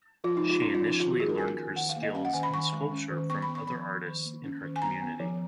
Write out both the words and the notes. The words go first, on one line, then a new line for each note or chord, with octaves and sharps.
She initially learned her skills in sculpture from other artists in her community.
F3 F4
D#4
G#3
F4
C#4 D#4
F4
F3
D#4
D#3 F4
F#4
A#3 G#4
A#4
C#4 G#5
D#3
D#3 F#5
F5
A#3
D#5
C#4 F5
F#5
D#3 G#5
B5
D#3 C#6
G#3
C#4
D#3
B3 C#6
B5
B3
C#6
F3 B5
F3
D#3
A#3
C#4
D#3
G#5
B3 A#5
B3
F3